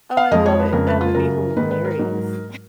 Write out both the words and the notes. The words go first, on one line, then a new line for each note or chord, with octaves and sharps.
Oh, I love it, that would be hilarious.
F5
F2 F3 G#3 D#5
C#5
B4
F2 C#3 G#3 A#4
B4
F4
F#2 C#3 F#3 A#4
G#2 D#3 G#3 B4
B4
A#4
G#2 F#3